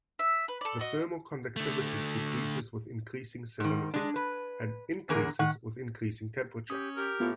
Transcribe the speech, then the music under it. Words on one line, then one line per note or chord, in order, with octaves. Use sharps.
The thermal conductivity decreases with increasing salinity and increases with increasing temperature.
E5
B4
A4 D5
F#4 D#5
D3 A3
G#2 D#3
G#3 D4
B4
E2 D3 A#3 G#4 A#4
D#3 F#5
C#4 G4 D#6
G4 A#4
A2 B3 F4